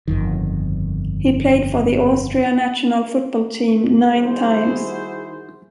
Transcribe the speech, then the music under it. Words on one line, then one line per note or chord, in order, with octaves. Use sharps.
He played for the Austria national football team nine times.
G1 F2 D#3
D#3 G3 E4 F#4 G#4 C5